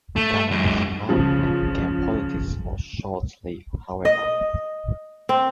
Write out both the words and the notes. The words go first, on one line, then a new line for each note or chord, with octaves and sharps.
Gallagher's run at GamePolitics was short-lived, however.
A3
F#2 G#3
C#3 F3
D#5
C4